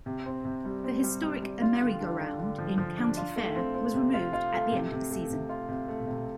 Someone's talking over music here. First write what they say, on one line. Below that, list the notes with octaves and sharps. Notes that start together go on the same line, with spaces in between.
The historic Ameri-Go-Round in County Fair was removed at the end of the season.
C3
C4
C3
G3
C4
G3
G3
G3
F4
D3
D4
D3
D3
F3
F3
D4
F4
A3
C4
C4
C3
F4
F4
A3
C3
C3
A3
C3
F4
C3
A3
C3